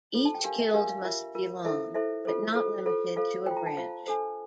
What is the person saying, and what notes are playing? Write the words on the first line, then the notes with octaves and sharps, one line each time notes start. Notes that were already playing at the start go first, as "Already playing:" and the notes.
Each guild must belong, but not limited, to a branch.
F4 A4 C5
A5
G5
D4 G4 A#4 F5
E5
D4 G4 A#4 F5
F5
F4 A#4 E5
F4 A#4
E4 A4 C5 E5
E4 A4 C5 E5
F4 A4 C5
F4 A4 C5
F4 A4 C5
F4 A4 C5 F5
F4 C5 G5
A#5
A5
F4 C5 F5
D4 A4 C5